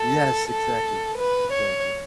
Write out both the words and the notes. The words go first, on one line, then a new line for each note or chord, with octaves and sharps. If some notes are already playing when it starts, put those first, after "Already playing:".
Yes, exactly, exactly.
Already playing: A4
A4
B4
C#5